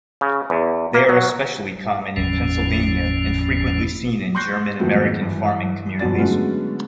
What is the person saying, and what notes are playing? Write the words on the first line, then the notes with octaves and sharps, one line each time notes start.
They are especially common in Pennsylvania and frequently seen in German-American farming communities.
C#3
E2
A#3
F#3
G1 E2 A2 D3 F3 C#4
C6 C#6 F#6 G6 A#6 C7
F2 G#2 D#3 F#3 A3 B3
G2 E3
G1 F2 B2 D3 D5 A6
D3 F#3 G#3 A3 B3 C#4